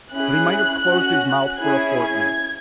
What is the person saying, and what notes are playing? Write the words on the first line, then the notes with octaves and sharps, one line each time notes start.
But he might have closed his mouth for a fortnight.
C#4 E4 G#4 F#6
C#4 F#4
C#4 E4 G#4 G#6